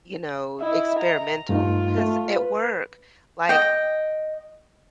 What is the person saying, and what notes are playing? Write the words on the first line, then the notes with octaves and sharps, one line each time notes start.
you know, experimental. 'Cause at work, like,
E4 D#5 E5
A#5
G2 A3 D#4 F4
A3
B4
D#5 G5